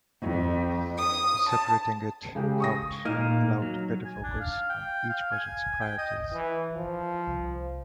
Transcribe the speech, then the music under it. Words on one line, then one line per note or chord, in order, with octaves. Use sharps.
So separating it out allowed better focus on each budget's priorities.
F2
D#6
A5
C#3 G#3 G4
C#6 D#6 A#6
A#2 A#3 D#4 F6 D#7
F#3
G#5
D4
F5
G5
F5
G#5
G5
D#5
E3
F3
C2